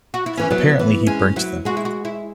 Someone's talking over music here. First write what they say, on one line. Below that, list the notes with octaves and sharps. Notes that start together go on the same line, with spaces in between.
Apparently he burnt them.
F#4
E4
E3 C#4
F#3 B3
E3
G#3 C#4
F#3 E4
G#3 F#4
E4
F#4
E4